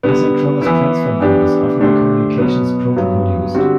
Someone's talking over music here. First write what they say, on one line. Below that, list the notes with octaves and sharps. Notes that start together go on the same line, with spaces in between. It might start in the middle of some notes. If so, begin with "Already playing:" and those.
Asynchronous Transfer Mode is often the communications protocol used.
D3 G3 B3
E3 B3 E4
E3 B3 D4 G4
D3 A3 D4 G4 C5
B2 F#3 B3
G2 F#3 B3
D3 G3 C4 F#4